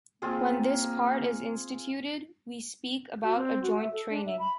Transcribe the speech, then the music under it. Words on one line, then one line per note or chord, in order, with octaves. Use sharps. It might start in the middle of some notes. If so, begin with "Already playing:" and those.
When this part is instituted, we speak about a joint training.
A#3 C4 F4 G#4
F#4
C4
F#4
E5
A4
D4
E5
B5